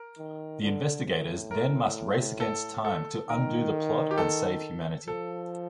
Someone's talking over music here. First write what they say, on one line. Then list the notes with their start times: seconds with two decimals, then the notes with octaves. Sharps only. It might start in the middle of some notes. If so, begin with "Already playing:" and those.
The investigators then must race against time to undo the plot and save humanity.
Already playing: A#4
0.18 D#3
0.62 D3
1.06 A2
1.51 A#4
2.40 A4
2.85 A4
3.29 D#3 A#4
4.11 G4
4.18 A4
5.07 F3 A4